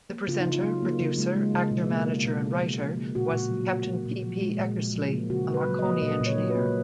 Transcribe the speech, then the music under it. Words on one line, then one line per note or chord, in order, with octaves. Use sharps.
The presenter, producer, actor-manager and writer was Captain P. P. Eckersley, a Marconi engineer.
A#3
C#3 F4
D#4
C#3
F4
F#3
A#3
C#3
G#3
G#3
C#3
B2
A#3
A#3
B2
C#3
C#3
F3
A#3
A#2 F#4
A#2
F#3
A#3
A#2
A#2
F3
G#3
A#2
A#2
F3
A#3
C#3 F#4
C#3
B4
F#3
D#5
A#3
A#2 D#5
A#2
C#5
F#3
B4
A#3